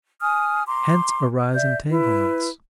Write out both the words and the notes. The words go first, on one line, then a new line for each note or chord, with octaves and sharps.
Hence arise entanglements.
G#5 D#6 F6
A#5 C6 D6
D5 E5 G6
E4 B4